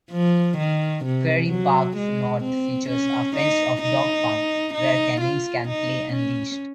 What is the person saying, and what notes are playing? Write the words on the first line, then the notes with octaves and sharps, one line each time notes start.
Quarry Park North features a fenced off dog park, where canines can play unleashed.
F3
D#3
C3
F#3
G#3
C4
C#4
D#4
D#4
D#4
F4
D#4
C#4